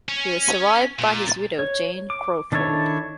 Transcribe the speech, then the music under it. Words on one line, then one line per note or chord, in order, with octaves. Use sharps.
He was survived by his widow, Jane Crawford.
C#4
A#2
C#5
D6
D#3 D4 E4 A4 C#5